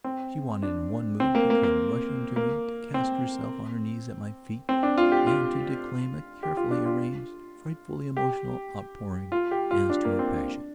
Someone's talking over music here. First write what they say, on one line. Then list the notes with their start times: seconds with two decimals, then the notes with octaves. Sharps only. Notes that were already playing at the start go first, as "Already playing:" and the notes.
She wanted, in one mood, to come rushing to me, to cast herself on her knees at my feet and to declaim a carefully arranged, frightfully emotional, outpouring as to her passion.
0.04 C4
0.63 D4
1.20 C4
1.35 A#3
1.50 A#3
1.63 A#3
2.36 A#3
2.94 C4
4.69 C4
4.83 D4
4.98 F4
5.12 G4
5.27 F4
6.43 G4
6.57 F4
6.71 D4
6.86 F4
8.17 G4
9.32 F4
9.51 G4
9.71 F4
9.90 D4
10.05 A#3
10.19 C4
10.34 D4